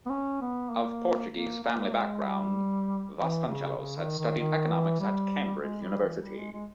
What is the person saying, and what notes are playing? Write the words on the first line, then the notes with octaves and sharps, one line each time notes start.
Of Portuguese family background, Vasconcellos had studied economics at Cambridge University.
B3
C#4
B3
A#3
A#3
A#3
G#3
G3
E3
C#3
C#3
D#3
D#3
D#3
E3
G3
G#3
G3
E3
G3
G#3
G#3